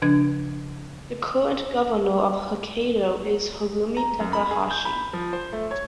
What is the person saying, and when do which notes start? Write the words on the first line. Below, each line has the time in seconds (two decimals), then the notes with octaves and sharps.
The current governor of Hokkaido is Harumi Takahashi.
0.02 C#3 F3 D4 B4 G#6
3.97 A#5
4.20 F#2
4.33 B5
4.51 G#4
4.71 G6
4.85 B5
5.13 F3
5.33 C5
5.53 A3
5.71 C#5